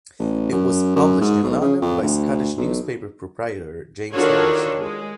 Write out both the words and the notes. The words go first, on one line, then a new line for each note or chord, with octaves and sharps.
It was published in London by Scottish newspaper proprietor James Henderson.
A1
F#2
F#2
G#2
B1
C#3
F2
D2
B1
D#3 D4 F4 F#4 A4 C#5
G#3